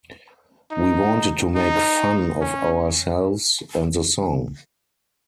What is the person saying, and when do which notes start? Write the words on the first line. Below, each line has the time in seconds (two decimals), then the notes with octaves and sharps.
We wanted to make fun of ourselves and the song.
0.72 D#4
1.56 D#4
2.41 C#4